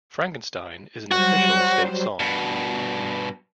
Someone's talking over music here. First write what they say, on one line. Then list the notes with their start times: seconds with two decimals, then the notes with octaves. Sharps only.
Frankenstein, is an official state song.
1.11 F#3 G3 F#4 C5
2.20 G2 B2